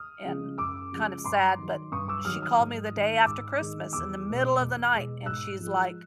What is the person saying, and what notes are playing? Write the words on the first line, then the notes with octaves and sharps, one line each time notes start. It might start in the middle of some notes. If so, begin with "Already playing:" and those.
and kind of sad, but, she called me the day after Christmas in the middle of the night and she's like,
Already playing: D#6 F6
C#3 F3 G#3
F#2 D6 E6
C#3 F3 G#3
G2 C6 D6
D#3 F#3
G2 C#6 D#6
D6 E6
D#3 F#3 D#6 F6
D#6 F6
G#2
D#3 G#3
G#2 D6 E6
D#3 G#3
E2 D6 E6
B2 G#3
E2
B2 G#3
G#2 E6 F#6
F3 G#3